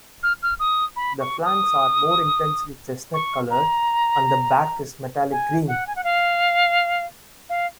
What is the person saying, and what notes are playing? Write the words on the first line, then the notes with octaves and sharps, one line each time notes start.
The flanks are more intensely chestnut colored and the back is metallic green.
F6
F6
D#6
B5
C#6
D#6
C#6
A#5
G#5
F#5
G#5
F#5
F5
F5